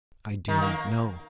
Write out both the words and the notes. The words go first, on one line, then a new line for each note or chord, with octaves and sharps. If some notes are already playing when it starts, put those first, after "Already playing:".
"I do not know."
D#3
A#3